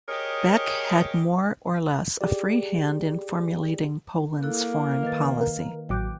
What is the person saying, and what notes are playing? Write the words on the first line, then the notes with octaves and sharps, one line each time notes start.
Beck had more or less a free hand in formulating Poland's foreign policy.
G4 G#4 A#4 C#5 D#5
G4 G#4 D5
A#3 E4 A4 F#6
D#3 B4 A6
A#4
A1 F#3 G5 D6 F#6 G6